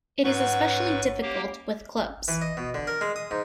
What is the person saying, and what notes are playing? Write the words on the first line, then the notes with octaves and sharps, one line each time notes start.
It is especially difficult with clubs.
G#2 F#3 C#4 B4 C#6
A#3 G4
E3
D#5
B2
D3
A#4
G#3
D#6
G#2